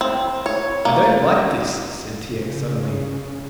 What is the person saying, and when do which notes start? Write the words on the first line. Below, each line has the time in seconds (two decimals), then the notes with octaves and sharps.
"I don't like this," said T. X., suddenly.
0.01 C4
0.46 C#5
0.85 A#3
2.38 C#3